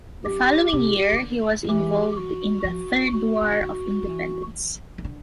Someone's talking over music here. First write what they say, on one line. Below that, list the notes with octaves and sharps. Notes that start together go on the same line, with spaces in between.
The following year, he was involved in the Third War of Independence.
F#2 G4
C3 G4
D#3
D3
D#3
E3 G4
F#4
F3 F#4
E3 F#4
C#3
D3
D#3
F3
E3
D#3
D3